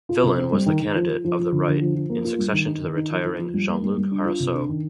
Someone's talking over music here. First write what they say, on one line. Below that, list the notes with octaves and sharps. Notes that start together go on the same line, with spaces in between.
Fillon was the candidate of the right in succession to the retiring Jean-Luc Harousseau.
F4
C3
C4
G3
D#3
D#3
F3
F3
F3
F3
D3
D3
F3
F3
A#3
F4
G3
D#3
D#4
D#3
D#4
F3
F3
F3
G3
A#3
G3
G3
D4
F4
C3
D4
D#3